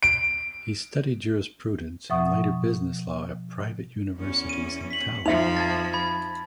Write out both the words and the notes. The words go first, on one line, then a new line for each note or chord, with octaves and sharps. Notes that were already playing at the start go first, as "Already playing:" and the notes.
He studied jurisprudence and later business law at private universities in Tallinn.
D7
B2 F3 E5 F#5 C#6 D#6
E2 C#4
D#7
B6 F#7
F2 F3 D#4 E5 F7
A5 G#6 A6
B5 G#6